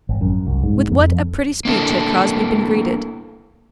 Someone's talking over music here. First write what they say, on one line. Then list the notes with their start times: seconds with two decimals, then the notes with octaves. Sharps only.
With what a pretty speech had Crosbie been greeted!
0.09 G#1
0.21 F#2
0.47 C2
0.63 G#2
0.91 F2
1.65 A#3 D4 E4 A4